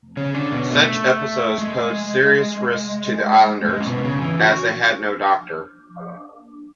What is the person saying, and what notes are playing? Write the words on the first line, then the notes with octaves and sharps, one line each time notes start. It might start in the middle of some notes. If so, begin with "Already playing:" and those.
Such episodes posed serious risks to the islanders, as they had no doctor.
C#3 C#4
D3 D4
B2 B3
A3
G#3
A3
G#3
C#4
B2 B3
C#3 C#4
E3 E4
F#4